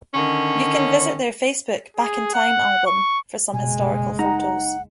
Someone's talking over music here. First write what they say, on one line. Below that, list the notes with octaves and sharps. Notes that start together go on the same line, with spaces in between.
You can visit their Facebook Back In Time Album for some historical photos.
D3 D#3 C#4
G#4
F#5
C#6
F#1 B2 G#3 G#5
D#4 F#5 A#5